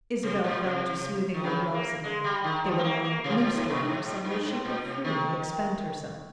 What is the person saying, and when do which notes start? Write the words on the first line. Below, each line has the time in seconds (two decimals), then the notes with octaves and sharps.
Isabel fell to smoothing her gloves again; they were long, loose gloves on which she could freely expend herself.
0.23 C3
0.44 A#2
0.64 C3
1.34 D#3
1.43 C#3
1.74 A#3
2.04 G#3
2.24 G3
2.44 D#3
2.64 F3
2.79 C4
2.84 A#3
3.04 A#3
3.24 C3
3.40 A#2
3.54 G#2
3.69 G2
3.85 G#2
4.05 A#2
4.24 G2
4.45 G#2
4.65 A#2
4.85 C3
5.05 D#3